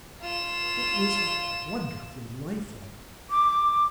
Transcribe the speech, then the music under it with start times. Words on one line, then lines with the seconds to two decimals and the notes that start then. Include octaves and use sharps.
It was wonderfully life-like.
0.21 F4 E7
3.30 D6